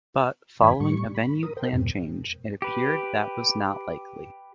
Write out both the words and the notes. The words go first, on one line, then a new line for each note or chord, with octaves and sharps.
But, following a venue plan change, it appeared that was not likely.
G2 D#3 D5 G#5 B5
A2 G3 C#6
B5
A#4 D#6
A#4 C5 G5
F2 G#2 B2
G4 B4